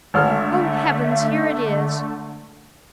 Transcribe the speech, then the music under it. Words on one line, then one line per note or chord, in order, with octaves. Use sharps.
"Oh, heavens, here it is!"
G#1 D3 A3 E5 F6